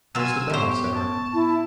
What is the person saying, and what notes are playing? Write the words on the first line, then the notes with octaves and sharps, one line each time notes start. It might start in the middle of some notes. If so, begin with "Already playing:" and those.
'There's the bell,' said Arthur.
F#3 F4 G#5 E6
A2 B3 G4 C5 C#6
A5
E4